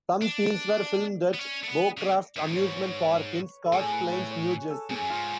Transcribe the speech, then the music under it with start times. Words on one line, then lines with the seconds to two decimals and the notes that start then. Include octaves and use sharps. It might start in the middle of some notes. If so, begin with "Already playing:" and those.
Some scenes were filmed at Bowcraft amusement park in Scotch Plains, New Jersey.
0.22 D4
0.80 D5
1.34 B3
1.39 C#4
1.64 A3
1.68 B3
1.97 C#3
2.36 F#2
2.48 A2
2.56 G#2 C#5
2.66 B4
2.77 C#5
3.66 A4
3.73 A2 G#4
3.92 B4
4.12 C#5
4.31 C#5
4.50 C#5
4.70 A4
4.90 G#2 G#4
5.01 F#2
5.10 G#2 F4